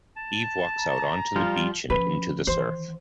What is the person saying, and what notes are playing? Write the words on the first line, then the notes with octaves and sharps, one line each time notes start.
Eve walks out onto the beach and into the surf.
A5
A#5
F3 G3 F4
F3 C#4 B4
D#3 E3 C5